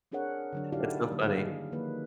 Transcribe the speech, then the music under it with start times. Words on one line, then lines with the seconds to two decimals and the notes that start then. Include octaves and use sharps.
That's so funny.
0.12 C4 D4 G#4 A#4 C#5 F#5
0.53 D3 F#3 D4
0.72 D#4 E4 F#4 G4 D5 F5
1.10 D3 F#3 G3 A#3
1.26 D#3 D#4 G#4 F5
1.72 D#3 F3 A#3 B4